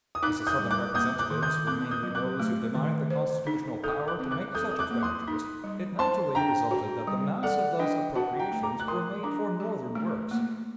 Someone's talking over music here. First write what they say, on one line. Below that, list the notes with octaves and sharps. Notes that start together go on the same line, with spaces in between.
As the Southern representatives were mainly those who denied the constitutional power to make such expenditures, it naturally resulted that the mass of those appropriations were made for Northern works.
D#6
D#4 D6 F#6
D#6 G6
G3
D6 F#6
A#3 D#6 G6
D6 F#6
D#3
D#6 G6
C4 D6 F#6
D#6 G6
F#3
D6 F#6
A3
D#3
C5
D#4
A4 D#6 G6
D6 F#6
C4
D6 F#6
A4 D#6 G6
D#6
D6 F#6
A#3
C6 D#6
D#4
G3
C5 A5 C6
D4 G5 A#5
F#4
G3
A4 D5 F#5
D4 D#5 G5
F#4 F#5 A5
G5 A#5
A3
A#5 D6
F#6
A#4 C6 D#6
D4 A#5 D6
G4
A3
A#3